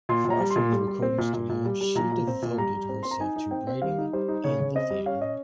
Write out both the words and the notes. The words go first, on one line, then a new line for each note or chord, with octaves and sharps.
Far from the recording studio, she devoted herself to writing and the theatre.
A#2 C6
A#2
A#5
G3
C6
A#2
G3
G3
C4
A#2
A#2
A#2
G3
G3
A#2 A#5
A#2
C4
A#2
G3 A#5
G3
C4
C4 C6
A#5
D#4 G#5
D#4
C4 G5
C4
G3 F5
D#4
G3 C5
D#4
C#3 C#5
C#3
C4 D#5
G3
C#4 F5
D#5